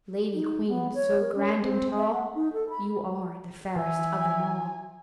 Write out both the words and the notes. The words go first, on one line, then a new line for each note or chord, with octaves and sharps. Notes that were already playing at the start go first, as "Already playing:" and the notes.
"Lady queen, so grand and tall, You are the fairest of them all."
G4
D#4
B3
C#5
A#4
C#4
C4
E5
F#5
D#4
A4
B5
E3 E5 G#5